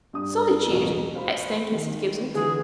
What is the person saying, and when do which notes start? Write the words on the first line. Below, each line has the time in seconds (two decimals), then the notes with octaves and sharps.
"Solitude!" exclaimed Mrs. Gibson.
0.13 G2 D#6
0.67 E1 A1 B2 F4 F#4 G#4
1.15 C5 F5 B5
1.72 D#3 G#3
2.34 D3 E3 F4 G#4